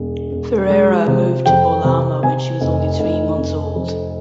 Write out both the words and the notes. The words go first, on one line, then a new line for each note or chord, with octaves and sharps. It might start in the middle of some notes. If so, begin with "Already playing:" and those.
Ferreira moved to Bolama when she was only three months old.
Already playing: E1
E1
G#3
C3
F2 G5
C3
C3 G#5
F1
F1
F1
F2